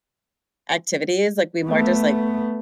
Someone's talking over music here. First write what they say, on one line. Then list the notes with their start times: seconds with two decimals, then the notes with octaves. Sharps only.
activities, like, we more just, like,
1.66 A3 B3